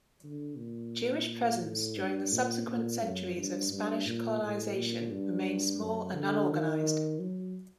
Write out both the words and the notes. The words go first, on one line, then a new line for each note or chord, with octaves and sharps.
Jewish presence during the subsequent centuries of Spanish colonization remained small and unorganized.
D3
A#2
A2
G2
A#2
A#2
F#2
G2
G2
A#2
A2
A#2
G2
F#2
D3
D#3
F#3